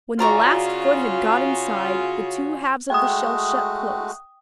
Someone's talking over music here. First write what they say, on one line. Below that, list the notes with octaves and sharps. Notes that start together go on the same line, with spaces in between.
When the last foot had got inside, the two halves of the shell shut close.
C#3 F4 F#4 D5 G#5 A#5 C#6
G#3 A3 F#4 G5 D#6